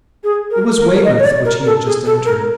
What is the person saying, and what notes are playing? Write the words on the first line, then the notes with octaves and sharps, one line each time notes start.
It was Weymouth which he had just entered.
G#4
A#4
A#4
D#5
C#5
D5
A#4
A4
G#4
A4
A#4